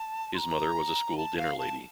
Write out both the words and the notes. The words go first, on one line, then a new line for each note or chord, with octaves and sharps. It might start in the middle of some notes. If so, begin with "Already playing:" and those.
His mother was a school dinner lady.
Already playing: A5
C6
A#5
A5
F5
A5